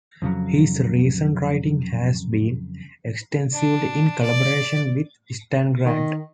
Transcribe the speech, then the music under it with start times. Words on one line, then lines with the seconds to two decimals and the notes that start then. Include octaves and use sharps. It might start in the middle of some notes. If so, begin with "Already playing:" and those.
His recent writing has been extensively in collaboration with Stan Grant.
0.22 F2 C#3 F#3
3.54 D4
4.23 D5
5.85 D#3